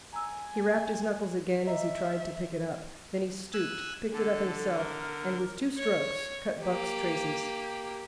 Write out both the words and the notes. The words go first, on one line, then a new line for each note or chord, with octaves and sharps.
He rapped his knuckles again as he tried to pick it up. Then he stooped, picked it up himself, and with two strokes cut Buck's traces.
G#5 A#5 E6
D#5 E5 A#5
G#5 E6 F#6
D3 A4
A#4
C#5
A#3 G4